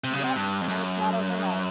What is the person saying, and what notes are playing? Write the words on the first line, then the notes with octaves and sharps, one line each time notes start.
Yep, and it's not overnight.
C3
C#3
C3
G2
F2
F#2